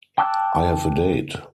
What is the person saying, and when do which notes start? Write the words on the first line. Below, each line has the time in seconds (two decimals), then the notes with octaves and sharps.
I have a date.
0.18 G5 A5 D6 E6 F#6